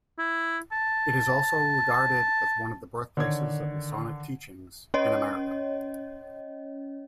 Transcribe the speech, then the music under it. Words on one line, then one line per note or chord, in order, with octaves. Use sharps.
It is also regarded as one of the birthplaces of Masonic teachings in America.
E4
A5
D3 D#3 C#5 D5 G#6
C#4 C#5 D#5